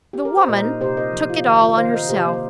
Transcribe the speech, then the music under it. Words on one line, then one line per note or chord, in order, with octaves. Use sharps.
The woman took it all on herself.
G4
A#4
C5
A#2 A#4 D#5
D#4
C3 G4 C5
C4 A#4 D#5
F3
F4
D#3
F4
D#3 C5 F5
C4 A#4 D#5
C3 G4 C5
A#3
C5